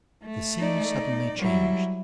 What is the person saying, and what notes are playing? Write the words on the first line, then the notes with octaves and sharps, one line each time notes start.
The scene suddenly changed.
A3
D#4 D5
F#3 G3 E4